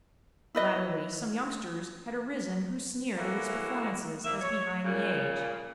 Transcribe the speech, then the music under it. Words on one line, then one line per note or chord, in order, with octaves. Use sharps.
Latterly some youngsters had arisen who sneered at his performances as behind the age.
E4 B4 D#5
A2 E3 A#3 F#4
A#3 E5
C#5
A#2 C#3